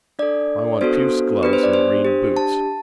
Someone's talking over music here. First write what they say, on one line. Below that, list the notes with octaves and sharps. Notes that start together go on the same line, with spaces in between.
I want puce gloves and green boots.
D4 A4 D5
B3 D4 F#4 A4 C5
B3 D4 G4 B4
C5
D5
C5
D4 G4
A5